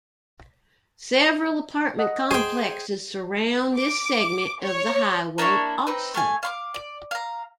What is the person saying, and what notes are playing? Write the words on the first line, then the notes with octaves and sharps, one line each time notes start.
Several apartment complexes surround this segment of the highway also.
D#5 F#5
G#4 C5 G5
D6
C#5
A#3 D4 E4 C#5
C4 D#4 B4
A3 F5 G#5
F5 C6 D6
D5
F5 A#5